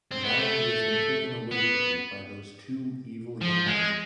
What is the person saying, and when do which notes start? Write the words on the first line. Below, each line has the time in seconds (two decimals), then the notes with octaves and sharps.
Now he has been taken away from me by those two evil young men.
0.11 C4
0.24 B3
0.38 A3
1.51 B3
3.41 F3
3.67 G#3